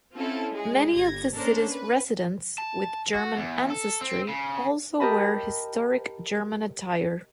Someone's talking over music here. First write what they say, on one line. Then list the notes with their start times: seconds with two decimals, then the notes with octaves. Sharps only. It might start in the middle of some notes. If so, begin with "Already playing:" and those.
Many of the city's residents with German ancestry also wear historic German attire.
0.14 C4 C#4 E4 F4 A4
0.52 G#3 G#4
0.93 G1 G3 G#6 A#6
1.34 A#3 C#4 D4 A4 A#4 C5
1.70 B4
2.58 A5
3.14 F#4
3.36 E2
3.70 A4
4.01 C4
4.28 C#3
5.00 G4 A#4 D#5 A5 B5